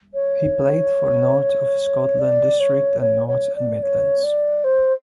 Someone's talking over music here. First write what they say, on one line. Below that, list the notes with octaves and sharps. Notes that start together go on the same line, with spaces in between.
He played for North of Scotland District and North and Midlands.
C#5
D5
C#5
C#5
C#5
D5
C#5
D5
C5